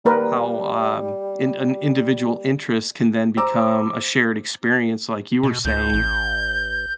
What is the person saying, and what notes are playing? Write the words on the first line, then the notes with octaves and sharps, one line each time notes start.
how, um, an individual interest can then become a shared experience, like you were saying,
G3 A#3 A#4 B4
C5 A#5 D6 E6
B2
C#2 G6
A1